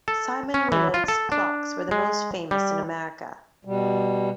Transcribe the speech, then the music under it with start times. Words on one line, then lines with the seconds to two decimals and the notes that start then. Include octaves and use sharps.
Simon Willard's clocks were the most famous in America.
0.08 A4
0.54 C#4
0.72 E3
0.94 F4
1.08 A4
1.32 D4
1.91 G#3
2.51 G3
3.65 B2 G3